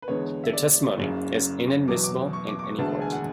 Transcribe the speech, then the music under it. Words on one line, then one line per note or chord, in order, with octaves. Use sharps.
Their testimony is inadmissible in any court.
B4
E2 D3 G#3 B3 C#5
E5
D5
F#1 F#2 C#3
E2 B2 F#3 D6
D6
C#6
D6
D6
C#6
E1 D2 D3 G#3 B3 A5
A5
G#5
F#5